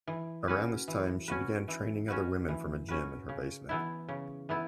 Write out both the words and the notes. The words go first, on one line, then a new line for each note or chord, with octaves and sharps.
Around this time she began training other women from a gym in her basement.
E3
C#4 F#4 B4
E3
C#4 F#4 B4
E3
C#4 F#4 B4
E3
C#4 F#4 B4
C#3
E3 B3 E4
C#3
E3 B3 E4